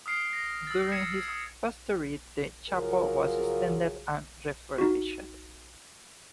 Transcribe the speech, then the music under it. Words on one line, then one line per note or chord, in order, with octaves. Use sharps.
During his pastorate the chapel was extended and refurbished.
D#6 F6 C7 D7
A#6
E6 A6
G#6 C#7 E7
D#6
C#3 F3 F#3 G#4 A#4
D#4 F#4